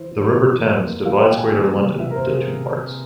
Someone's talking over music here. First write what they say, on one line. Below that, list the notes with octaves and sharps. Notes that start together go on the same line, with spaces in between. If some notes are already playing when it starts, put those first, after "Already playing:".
The River Thames divides Greater London into two parts.
Already playing: E3 E4 C5
E3
E3
E3 A#4
A#3
E3 F5
G5
A#3
G#5
E3
C3
E3 E5
A#4
C5
C3
G#4
C3
C3